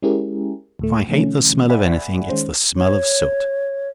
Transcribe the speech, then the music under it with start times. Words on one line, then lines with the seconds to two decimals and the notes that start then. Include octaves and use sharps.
If I hate the smell of anything, it's the smell of soot.
0.02 G#3 C#4 E4 G4 G#4 A#4
0.79 D2 A2 A3
1.07 C3 D#3 F3 A3 C#4
1.70 D5 E5 F#5 G#5 B5
2.29 D#3 G#3 C#4 C5
2.77 C#5